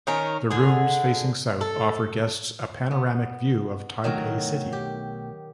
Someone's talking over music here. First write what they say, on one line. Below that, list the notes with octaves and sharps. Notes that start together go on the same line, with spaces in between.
The rooms facing south offer guests a paranomic view of Taipei City.
D#3 C#4 A#4
D3 G#4
A4
B3
B1 D#3 F#3 A3 A#4 C#5
G4